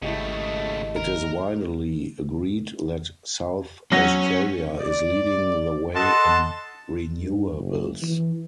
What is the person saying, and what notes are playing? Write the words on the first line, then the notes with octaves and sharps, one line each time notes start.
It is widely agreed that South Australia is leading the way in renewables.
G#1 C#3 A3 E4 G4 D#5
A#4
F#3 C#4 F#5 A#6
D5
A4 D#5 F#5 A5 C6
G2
F#1
E3